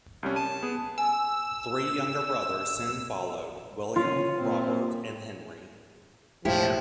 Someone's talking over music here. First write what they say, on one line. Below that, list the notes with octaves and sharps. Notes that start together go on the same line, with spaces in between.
Three younger brothers soon followed: William, Robert, and Henry.
C2 G3 C#4
A5 D#7
B3 G#4
G#5 E6
C#4 F4
A#2 C4
E1 A2 F3 E4 G4